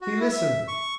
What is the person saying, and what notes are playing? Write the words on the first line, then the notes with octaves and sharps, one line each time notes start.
He listened.
F#4
E4
E5
C#6